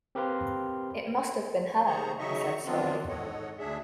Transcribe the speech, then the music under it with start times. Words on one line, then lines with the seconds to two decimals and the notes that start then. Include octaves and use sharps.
'It must have been her,' he said slowly.
0.15 C4 G4 A#4 B4 F5 C6
1.86 C3 D#3 G#4 C5 A#5 C#6
2.19 C#3 F#3 D#4 D#5 E5 C#6
2.65 E3 F#3 B3 C4 D4 F4
3.09 G#2 A4 C#5 D#5 F#5
3.58 D2 D4 G#4 E5